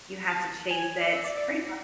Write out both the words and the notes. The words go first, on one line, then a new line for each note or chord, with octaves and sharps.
you have to chase it pretty much
A5
G#5
D5
E5
D5
D5